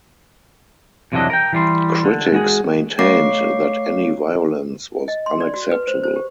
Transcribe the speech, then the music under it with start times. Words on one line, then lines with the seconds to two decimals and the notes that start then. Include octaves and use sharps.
Critics maintained that any violence was unacceptable.
1.12 F2 C3 E3 F#3 D4 D#5
1.30 A#4 G5
1.53 E3 G3 C6
2.04 D3
2.32 G#3 F#4 G#4
2.99 A3 C#5 F5 D6 C7
5.08 D#5
5.26 C6
5.40 D5
5.54 F#4
5.71 B4
5.87 C5
6.04 C5
6.16 G4